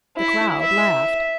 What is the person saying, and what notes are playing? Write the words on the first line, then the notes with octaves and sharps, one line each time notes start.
The crowd laughed.
E4
E5